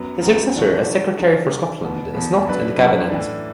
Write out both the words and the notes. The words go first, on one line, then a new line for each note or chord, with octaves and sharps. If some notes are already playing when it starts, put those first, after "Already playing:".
His successor as Secretary for Scotland is not in the Cabinet.
Already playing: F#2 F#3 B3
F#2 F#3 B3
F#2 E3 D4 F#4 A4
F#2 E3 D4 F#4 A4
F#3 D4 A4
F#3 D4 A4
E2 B2 B3
E2 B2 B3
F#2 F#3 D4 B4
F#2 F#3 D4 B4
A2 E3 D4